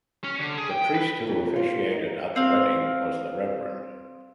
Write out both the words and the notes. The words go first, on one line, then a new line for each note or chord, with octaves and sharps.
The priest who officiated at the wedding was the Revd.
C#4
D3
G#4
G5
B4
F2
F4
D#4
C4 F5